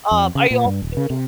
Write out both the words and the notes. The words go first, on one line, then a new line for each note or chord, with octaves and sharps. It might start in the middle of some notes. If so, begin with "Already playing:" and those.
Um, are you also doing
F2
C#3
A#2
G2
D#1
C#3
C3